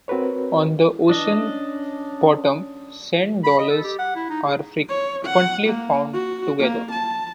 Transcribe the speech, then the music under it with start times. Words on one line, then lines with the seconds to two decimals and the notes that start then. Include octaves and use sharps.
On the ocean bottom, sand dollars are frequently found together.
0.08 C4 F#4 A#4 B4 C#5
1.10 E3 D4 D#5
1.38 C#4
3.44 B5
3.58 D#5
3.70 A4
3.84 G4
3.99 F#5
4.15 E4
4.30 D#4
4.46 G#4
4.89 C#5
5.25 F#5
5.66 A#3
6.14 F#4
6.59 A#3
6.91 A5